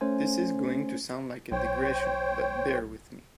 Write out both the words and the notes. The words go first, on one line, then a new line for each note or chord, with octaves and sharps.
This is going to sound like a digression, but bear with me.
A3 C#4 C5 G#5
B1 C5 C#5 G5